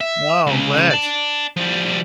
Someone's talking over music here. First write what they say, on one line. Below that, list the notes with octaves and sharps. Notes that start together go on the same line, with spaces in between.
Wow, I'm glad.
E5
C#2 C#3
D5 A5
F3 G3